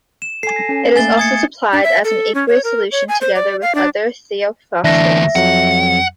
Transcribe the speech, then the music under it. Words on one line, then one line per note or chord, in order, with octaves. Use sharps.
It is also supplied as an aqueous solution together with other thiophosphates.
E7
A4 G#5 C7
A#6
C#4 A4
A3 A#3 G#5 A6 G7
D#6 G#6 C#7
D4
E5
A4
C#4
C#5
A#4
C#5
G#5
C5
D5
F5
D4
D2 E3 D4 E5 A#6
F2 F#3 F#5